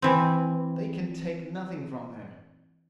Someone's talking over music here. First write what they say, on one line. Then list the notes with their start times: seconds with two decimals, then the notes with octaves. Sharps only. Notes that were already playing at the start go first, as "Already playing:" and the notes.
"They can take nothing from her."
0.02 E3 C4